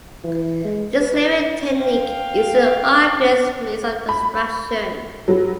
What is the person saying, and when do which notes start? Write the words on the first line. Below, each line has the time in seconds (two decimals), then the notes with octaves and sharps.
This layering technique is an obvious means of abstraction.
0.24 E3
0.65 G#3
0.99 B4
1.77 F5 G5
4.09 B5
5.28 F#3 G3